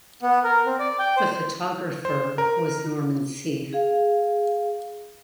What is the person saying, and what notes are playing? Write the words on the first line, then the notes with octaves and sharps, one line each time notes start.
The photographer was Norman Seeff.
B3
A#4
C4
D5
G5
C5
C5
A#4
G#4 F5